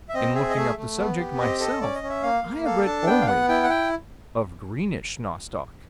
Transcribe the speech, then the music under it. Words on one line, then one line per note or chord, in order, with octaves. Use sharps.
In looking up the subject, myself, I have read only of greenish nostoc.
E5
C4 D#5
G#4 E5
D#5
A3 E5
A3
B3
G4
C4 D#5
A4 D#5
C#4 D5
D#5
C#4
E5
A#3 F5
A#3
A4 F5
D4 A5
B3 G5
F5
B3 F#5
E4 G5
F#5
G5